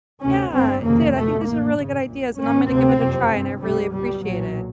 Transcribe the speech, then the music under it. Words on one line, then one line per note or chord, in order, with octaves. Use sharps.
Yeah, it did, I think these are really good ideas, and I'm gonna give it a try, and I really appreciate it.
D2 C3 C#4
G1 G2 C4
F1 D#2 C#3 A#3
C#2 B2 A3
A1 A2 A#3
G#1 F#2 C#3
A#1 A#2
G#1 G#2 C#4
D2 C3 C4
F#1 F2 C3
G1 G2
C2 B2 G3
C#2 B2 G3
B1 A#2 F#3